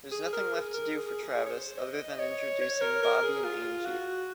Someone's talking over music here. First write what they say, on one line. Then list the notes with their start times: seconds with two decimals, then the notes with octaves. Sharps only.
There’s nothing left to do for Travis other than introducing Bobby and Angie.
0.12 G#4
0.33 A#4
0.53 G#4
0.74 A#4
0.95 G#4
1.23 G#4
1.46 C#5
1.50 C5
1.78 D#5
2.13 D#5
2.19 C#5
2.61 C#5
2.81 A#4
3.03 A#4
3.23 G#4
3.44 F4
3.85 F#4